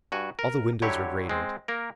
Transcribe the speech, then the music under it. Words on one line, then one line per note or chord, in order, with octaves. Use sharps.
All the windows were grated.
G2 F#4 G#5
A#4
D3 F#3 E4 G4 C#5
G#3 C4
A#3 A#4